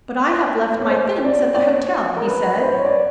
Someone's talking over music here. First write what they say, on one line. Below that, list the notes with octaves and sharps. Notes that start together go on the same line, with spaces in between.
"But I have left my things at the hotel," he said.
C#5
C5
D5
D5
C#5
A#4
B4
B4
C5
C#5
D5